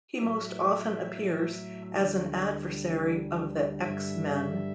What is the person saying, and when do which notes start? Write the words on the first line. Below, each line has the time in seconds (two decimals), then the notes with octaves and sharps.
He most often appears as an adversary of the X-Men.
0.20 A2 F#3 E5
2.01 D2 D3 G3
3.82 G2 D3 G3 E5